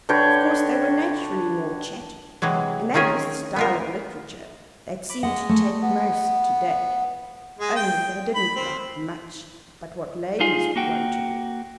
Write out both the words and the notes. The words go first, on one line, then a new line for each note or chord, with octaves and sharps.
Of course, they were naturally more chatty, and that was the style of literature that seemed to take most to-day; only they didn't write much but what ladies would want to read.
D3 B4 C#5 G5
C3 E3 F#3 G#3
D#3 C4 C#4 G#4 A#4
B3 F4 A#4
B5 D6
G#3 D#5 F#5
A3
B3
G#3
G5
B5
C4
D#4 F4 G#4
A#3 F#4 G5